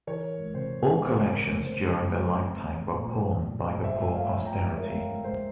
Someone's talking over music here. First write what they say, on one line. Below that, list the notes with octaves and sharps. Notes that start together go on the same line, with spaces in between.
All collections during the lifetime were pawned by the poor posterity.
E3 A#4 C#5
C3 C5
C#2 C5
A#4
C#2
C5
C4
C4
A#2
A#2
G2 C5 E5
C#5 F5
F3
G5 A#5
G#3 A#4 C#5
G#3 C5